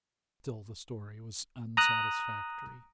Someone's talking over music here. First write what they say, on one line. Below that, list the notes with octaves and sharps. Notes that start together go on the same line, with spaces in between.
Still the story was unsatisfactory.
A#5 D#6 F#6